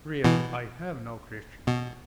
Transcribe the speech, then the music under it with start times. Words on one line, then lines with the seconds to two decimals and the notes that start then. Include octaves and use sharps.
Really, I have no Christian name.
0.24 B2 E3
1.67 B2